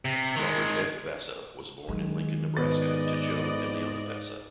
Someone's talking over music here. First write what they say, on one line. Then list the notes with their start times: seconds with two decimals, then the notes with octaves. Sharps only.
Robert F. Vasa was born in Lincoln, Nebraska, to Joe and Leona Vasa.
0.05 C3
0.36 D#3 G#3
1.88 D#3 F#3 G#3
2.57 G#2 B2 B4 D5 D#5 A6